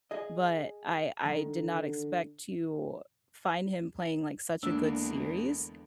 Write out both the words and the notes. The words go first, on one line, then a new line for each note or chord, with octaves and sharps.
but I I did not expect to find him playing, like, such a good series,
G#4 D#5
D3 D#3
E2 D3 G#3 A#3 D4 E6